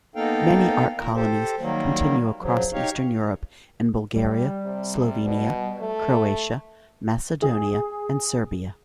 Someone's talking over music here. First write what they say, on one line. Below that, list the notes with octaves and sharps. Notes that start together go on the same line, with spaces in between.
Many art colonies continue across Eastern Europe in Bulgaria, Slovenia, Croatia, Macedonia and Serbia.
A#3 B3 D#4 A4 F5 G5
A#2 A#4
G4 A4 C5
D#3 F#3 G3 A#3
C#3 F3 F#3
D#4 G4 C#5 F5
G3 G4
C3
B2
A3
G#4